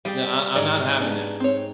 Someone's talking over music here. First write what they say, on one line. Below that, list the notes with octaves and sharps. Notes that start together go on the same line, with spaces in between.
n I I'm not having that."
G3 G4 G#4 F5
G#2 D#4 D5
B3 C#4 D4
C4 C#5